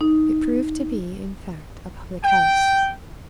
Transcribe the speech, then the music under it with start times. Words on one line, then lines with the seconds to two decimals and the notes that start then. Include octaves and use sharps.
It proved to be, in fact, a public house.
0.01 D#4
2.24 G5